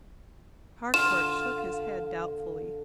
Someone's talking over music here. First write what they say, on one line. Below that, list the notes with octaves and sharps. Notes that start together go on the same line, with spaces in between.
Harcourt shook his head doubtfully.
D3 F4 E7